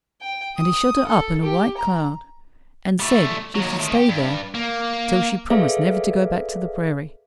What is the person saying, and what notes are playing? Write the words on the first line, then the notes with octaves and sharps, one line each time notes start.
And he shut her up in a white cloud and said she should stay there till she promised never to go back to the prairie.
G5
D#6
A4
G4
A#5
G3 A3
D#2 F#3
A2 D#3
G4
G2
A#3
G#4 A4 B4 D5 E5 F5